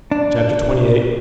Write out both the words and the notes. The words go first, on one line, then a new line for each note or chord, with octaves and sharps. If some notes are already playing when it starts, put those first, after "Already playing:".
Chapter XXVIII.
D4